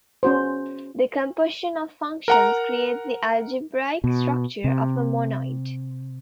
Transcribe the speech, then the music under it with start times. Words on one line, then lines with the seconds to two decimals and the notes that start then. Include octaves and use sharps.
The composition of functions creates the algebraic structure of a monoid.
0.23 C#4 F#4 C5
2.28 A#4 F#5 A#5
4.04 B2
4.64 C3